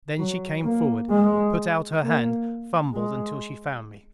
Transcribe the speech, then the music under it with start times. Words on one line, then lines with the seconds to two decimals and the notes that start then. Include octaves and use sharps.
Then she came forward, put out her hand, fumbled until she found me.
0.19 F#3
0.64 A#3
1.10 G#3
2.02 A#3
2.94 G#3